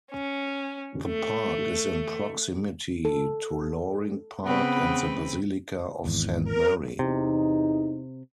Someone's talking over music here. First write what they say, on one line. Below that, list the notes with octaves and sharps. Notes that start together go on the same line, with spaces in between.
The park is in proximity to Loring Park and the Basilica of Saint Mary.
C#4
A3
A4
C#3 B3 C4 B4
G#1 E2
A#4
E2 C3 D#4